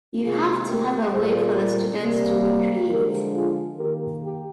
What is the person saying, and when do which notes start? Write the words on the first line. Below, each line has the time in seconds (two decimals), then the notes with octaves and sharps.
You have to have a way for the students to recreate.
0.23 C3 F3 G#3 F4 G#4
0.67 G4 A#4
1.12 A#2 G3 A#3 G#4 C5
2.00 C3 G3 A#3
2.89 D3 F3 G#3 G4 A#4
3.33 F4 G#4
3.78 D#3 A#3 G4 A#4
4.22 G4